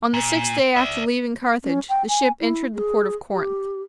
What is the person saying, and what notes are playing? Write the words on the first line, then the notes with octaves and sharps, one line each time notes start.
On the sixth day after leaving Carthage the ship entered the port of Corinth.
A#2
D5 E5
C#4
G5
G#5
E4
G#4
G4